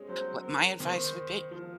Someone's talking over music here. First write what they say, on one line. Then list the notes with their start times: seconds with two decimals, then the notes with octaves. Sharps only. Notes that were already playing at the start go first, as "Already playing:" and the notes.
What my advice would be,
Already playing: G#3 C4 C#4
0.08 F#3 C5
0.44 A#4
0.80 D#3 C5
1.51 F3